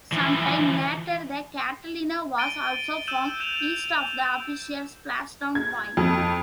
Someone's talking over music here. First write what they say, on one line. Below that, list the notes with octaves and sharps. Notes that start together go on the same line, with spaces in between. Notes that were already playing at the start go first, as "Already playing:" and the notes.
Some time later the Catalina was also found, east of the official splashdown point.
E3 F3
A6 D7 D#7 G7
E6 G6 D#7 E7 F#7
G6 E7 F7
G#6
F2